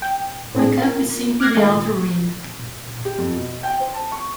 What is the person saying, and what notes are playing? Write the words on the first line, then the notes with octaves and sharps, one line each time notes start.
The cup is simply the outer ring.
G5
A2 C4 D4 G#4
F4 A#4
D6 F6 F#6 G#6 A#6 C7
D#3 G#3 A3 F4
G4
F2
B2
G5
C5
A5
C#6